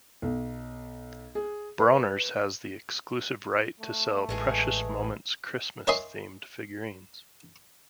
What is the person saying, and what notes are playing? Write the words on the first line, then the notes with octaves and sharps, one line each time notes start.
Bronner's has the exclusive right to sell Precious Moments Christmas-themed figurines.
B1
G#4
B4
A3
A1 E3 G#3 G#4
A#4 C#5 D#5 E5 G#5 C6